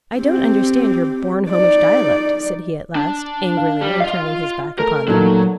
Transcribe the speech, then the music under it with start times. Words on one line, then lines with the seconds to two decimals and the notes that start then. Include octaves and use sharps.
"I don't understand your Bornholmish dialect," said he at last, angrily, and turning his back upon them.
0.17 C4 G4
1.50 D#4 D5
2.95 D4
3.57 F5
3.81 G3
4.00 F4 D#5 F5
4.79 A3 A#4
5.08 A#2 F#3 A3 D#4